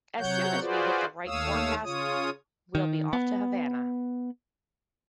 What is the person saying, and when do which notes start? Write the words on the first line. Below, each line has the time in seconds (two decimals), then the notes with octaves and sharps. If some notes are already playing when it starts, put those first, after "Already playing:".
As soon as we hit the right forecast, we'll be off to Havana.
0.19 C3 F#3 C#5 F#5 G6
0.60 F4 F#4 G#4 B4 C5 D5
1.26 D#2 A3 C#5 F5 D#6 E6
1.83 C#3 F4 C#5 D#6
2.75 D#3
3.13 B3